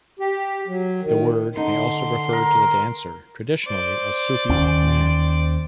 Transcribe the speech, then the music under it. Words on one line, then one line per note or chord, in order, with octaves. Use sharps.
The word may also refer to the dancer, traditionally a Sufi man.
G4
F#3
D#3
D3 D#4 C6
A#4
C5 D5
D#2 D#3 C#4